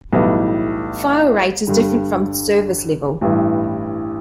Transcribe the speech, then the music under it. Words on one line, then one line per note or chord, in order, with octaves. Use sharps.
File rate is different from service level.
B1 A2 E3 G3 B3
G2 D3 G3
A1 G2 E3